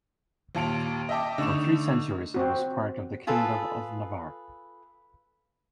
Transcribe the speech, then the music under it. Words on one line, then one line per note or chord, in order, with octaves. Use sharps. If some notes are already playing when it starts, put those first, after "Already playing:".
For three centuries it was part of the Kingdom of Navarre.
D#2 A#2 A5 D7 F7
D#5 E5 G5 A5 D6
D3 A3 D#4 C#6 E7
C4 F#4
F4 G#4 A4 B4